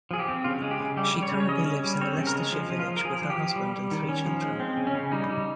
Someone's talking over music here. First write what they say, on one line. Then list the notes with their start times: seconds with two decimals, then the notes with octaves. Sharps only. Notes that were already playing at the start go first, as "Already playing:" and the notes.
She currently lives in a Leicestershire village with her husband and three children.
0.11 F3 G#4
0.19 G4
0.28 C4
0.44 C#3 F4
0.62 G#3
0.71 G4
0.80 C#3
0.97 G3 G4
1.14 G3
1.23 C#5
1.32 C#3
1.40 C#5
1.49 C#4 D#5
1.66 C#4
1.84 G3
2.01 C4 C#5
2.18 C#3
2.27 A#4
2.35 G#3
2.52 F3
2.70 F3
2.79 F4
2.88 F3
2.96 A#4
3.05 F3 G#4
3.22 F3
3.30 G4
3.39 F3
3.56 G3
3.74 G3
3.91 D#3
4.09 C#4
4.26 F3
4.43 G#3
4.60 C4
4.77 C#3
4.87 C#4
4.95 C#3
5.12 G3 D#4
5.30 G3